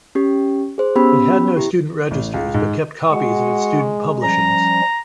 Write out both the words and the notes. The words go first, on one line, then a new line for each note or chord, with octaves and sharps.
It had no student registers but kept copies of its student publishings.
C#4 G4
G#4 C5
B3 C#4 G4 B5 E6
E4 G4
A1
C#2
G#2
G#3 F#4 F#5
F3 G3 C#4 A#5